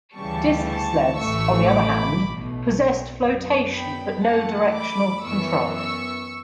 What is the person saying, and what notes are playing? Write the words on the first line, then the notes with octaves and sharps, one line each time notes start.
Disk sleds, on the other hand, possessed floatation but no directional control.
D2 C#3 E3 G3 A5 C#6
A5 C#6
A1 A2 E3 A3 C#6 E6
B5 D6
B1 B2 A3
F#2 D3 F#3 B3
G5 B5
F#2 E3 A3 F#5 A5
B5 D6
F#2 E3 B3 C#6 E6
C#6 E6